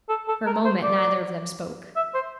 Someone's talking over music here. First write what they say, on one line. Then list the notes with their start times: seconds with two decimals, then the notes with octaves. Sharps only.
For a moment neither of them spoke.
0.09 A4
0.28 A4
0.46 A#4
0.65 C5
0.83 D5
1.96 E5
2.14 C5